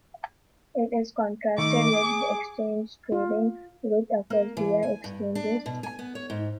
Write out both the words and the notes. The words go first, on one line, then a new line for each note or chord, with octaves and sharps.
It is contrasted with exchange trading, which occurs via exchanges.
D#3 A3 D6
G#4
F4
A#3
E3
G#5
G2
D4
B2
G#5
B3
C#5
G#2